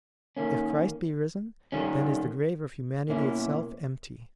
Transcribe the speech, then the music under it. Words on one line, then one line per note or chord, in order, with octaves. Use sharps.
If Christ be risen, then is the grave of humanity itself empty.
D#3 A#3 C#4
D#3 G3 C#4
B2 A#3 C#4 E4